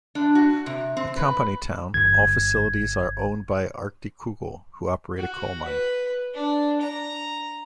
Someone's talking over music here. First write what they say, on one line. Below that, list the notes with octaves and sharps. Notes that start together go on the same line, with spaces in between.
A company town, all facilities are owned by Arktikugol, who operate a coal mine.
D4
F#4
C3
C4
B4
G1 G#6
F#4
B4
D4
A#5